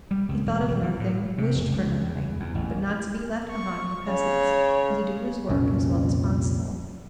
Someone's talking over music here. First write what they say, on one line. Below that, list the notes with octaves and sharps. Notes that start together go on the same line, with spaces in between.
He thought of nothing, wished for nothing, but not to be left behind the peasants, and to do his work as well as possible.
G3
C#2
E1
D#1
E3
A2
C3
F1
C#2
E2
E2
A1
C#6
C#3 C#5
C2 F2 A#2 C#4